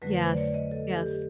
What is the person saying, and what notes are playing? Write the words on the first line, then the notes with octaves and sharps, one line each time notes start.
Yes, yes.
F2 D3 F#3 A3 B4
C5
D5
C#5
D#5
A4
G4